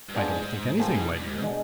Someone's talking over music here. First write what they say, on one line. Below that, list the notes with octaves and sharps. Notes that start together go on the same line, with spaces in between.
"I don't think anything, my dear."
G2
G#2 B3 D4 F4 G#4
A2 D#3 G#3 C4 F4 A4
B2
G2
G#2
B2 G#3 B3 D4